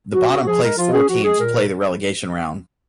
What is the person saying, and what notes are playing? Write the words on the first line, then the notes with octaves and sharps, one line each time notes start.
The bottom placed four teams play the relegation round.
F3 F#4
C#4 F#4
F3 G#4
G#3 A#4
F3 F4
C#4 G#4
F3 F#4
G#3 G#4
A#2 A#4